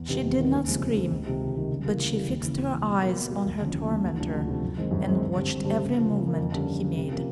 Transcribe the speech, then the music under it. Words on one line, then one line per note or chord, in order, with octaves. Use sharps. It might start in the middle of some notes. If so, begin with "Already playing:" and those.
She did not scream, but she fixed her eyes on her tormentor and watched every movement he made.
Already playing: E2
C3 D#3 G3 B3
E2
C3 D#3 G3 B3
D#2
C#3 F3 G#3 C4
D#2
C#3 F3 G#3 C4
C#2
C3 D#3
C#2
C3 D#3
C#3
E3 G3 A#3
C#3
E3 G3 A#3
D#2
C#3 E3
D#2
C#3 E3
B2
F#3 A#3
B2
F#3 A#3
D#2
D3 F3 A3 C#4
D#2
D3 F3 A3 C#4
D2
C3 F3 A3 D4
D2
C3 F3 A3 D4
F#2
D#3 G#3 C4
F#2
D#3 G#3 C4
G2
D3 G3 C4
G2
D3 G3 C4
C#3
F3 A#3
C#3
F3 A#3
F2
D3 G3 A#3 C#4
F2
D3 G3 A#3 C#4
C3
F3 A#3 C#4